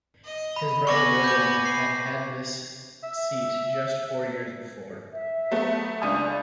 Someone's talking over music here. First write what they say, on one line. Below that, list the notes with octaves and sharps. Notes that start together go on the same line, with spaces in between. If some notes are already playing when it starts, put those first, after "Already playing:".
His brother William had had this seat just four years before.
D#5
B5
B3 G#5 C#6 D6 A#6
D6 G6
C7
E5
E5
F#3 A3 B3
C#2 D4 G#5 D#6
D5